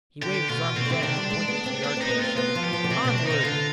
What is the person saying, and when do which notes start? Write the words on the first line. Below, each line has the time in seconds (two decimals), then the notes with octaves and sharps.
He waved his arm again and pointed to the archway, shouting "Onward!"
0.22 D3 G4
0.49 B2 F4
0.76 B2 C4
0.86 D3
0.90 C3 C4
1.03 D#3 D4
1.16 G3
1.30 G#3
1.48 B3
1.66 C4
1.83 B3 D4
1.97 C4 D#4
2.10 B3
2.19 C4 F4
2.37 B3 F4
2.55 F3
2.64 G4
2.73 F3
2.84 D3
2.90 C3 C4
3.05 B2 D4
3.18 C3
3.26 D3 D#4
3.44 D3 F4